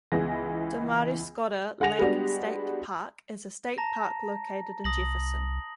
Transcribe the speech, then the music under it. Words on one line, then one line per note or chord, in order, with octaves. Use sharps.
Damariscotta Lake State Park is a State Park located in Jefferson.
C#2 E3 B3 G#4 A#6
D3 F#5 G#5 A#6 F7
G3 G#3 B3 D4 F#4 G4
A5 A#5 A#6
C2 D#6 A#6 F#7